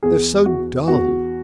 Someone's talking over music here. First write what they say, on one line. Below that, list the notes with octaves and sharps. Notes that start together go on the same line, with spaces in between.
"They're so dull."
E2 G#4
E2 F#4
E2 F#4